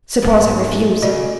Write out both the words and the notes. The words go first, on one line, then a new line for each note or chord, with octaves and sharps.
"Suppose I refuse?"
G#2 B3
C#3 F#4 D5 D#5